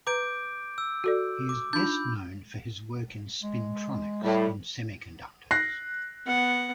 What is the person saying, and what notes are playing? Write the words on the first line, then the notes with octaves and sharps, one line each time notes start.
He is best known for his work in spintronics in semiconductors.
B4 A#5 D6 G6 D7
E6
F#4 A4 D5
D6
D4 D#4 F4 B5 G6
G#3
A2 G3
F#6 A#6 C7
B3 F#5